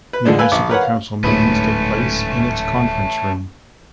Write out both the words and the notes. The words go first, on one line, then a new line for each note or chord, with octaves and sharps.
Municipal council meetings take place in its conference room.
B4
D3 F3 G#3 D4
B4 F5 G#5 E6
A#1 D6
A#4 B4 C#5 F#5
F5
D1 A1 G#2 A3 B3 C#4